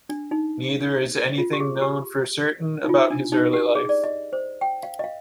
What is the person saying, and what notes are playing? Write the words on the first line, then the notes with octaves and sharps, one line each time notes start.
Neither is anything known for certain about his early life.
D4
D#4
F4
G4
G#4
G4
D#4
F4
D4
D#4
G4
G#4
D5
D#5
C5
G5
F5
D#5
F5